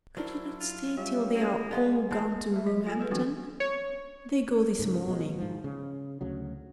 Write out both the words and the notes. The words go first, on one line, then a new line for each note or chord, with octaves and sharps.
Could you not stay till they are all gone to Roehampton? they go this morning.
F#3 D4 E4 A#4 C5
F4
G3 C#4 F4 G4 E5
A#3 G#4
G#3 B3 D#4 F4 G#4 D5
E3 C4 A4 A5
A3 E5
F#3 D#5
F4 A4 G#5
G3 A4 B4
E3 F#3 B3 C4 D4 F#4
C#5
G#2 C#3
B2 G#3
G#2 F3
C#3
D2 C#3 F#3